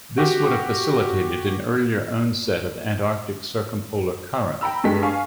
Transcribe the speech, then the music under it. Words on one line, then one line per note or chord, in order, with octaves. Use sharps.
This would have facilitated an earlier onset of the Antarctic Circumpolar Current.
F#4 G4
G5 A#5 B5 E6
G2 G#3 G4 A4 B6
F5 G#5 C#6 F6